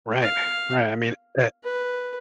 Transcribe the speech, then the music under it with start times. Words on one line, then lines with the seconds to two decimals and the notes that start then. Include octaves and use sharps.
Right, right. I mean, at
0.22 F5
1.65 B4